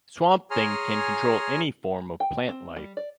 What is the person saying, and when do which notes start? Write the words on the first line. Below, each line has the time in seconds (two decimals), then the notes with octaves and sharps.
Swamp Thing can control any form of plant life.
0.51 G#4 C#5 G#5 A#5 C6 F6
2.20 G5
2.49 C4
2.76 G3
2.97 D5